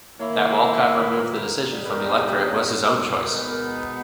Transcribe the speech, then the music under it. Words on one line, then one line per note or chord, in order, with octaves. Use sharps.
That Walcott removed the decision from the electorate was his own choice.
D#3 A#3 E4 C#5
C#5
B4
A#4
B4
A#4
E3 G3 B3 D#4
B4
A#4
G#4
G4
C#5
B2 G#3 B3 D#4 A#4
B4
A#4